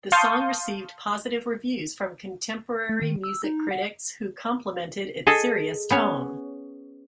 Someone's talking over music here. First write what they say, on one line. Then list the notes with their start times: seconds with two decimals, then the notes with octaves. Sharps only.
The song received positive reviews from contemporary music critics, who complimented its serious tone.
0.12 F5 A5 C6 C#6 D#6 G6
2.89 A3
3.02 D#3
3.24 E6
3.44 D#4
3.71 F#5
5.27 G#4 A4 D#5
5.90 B3 C#4 C#5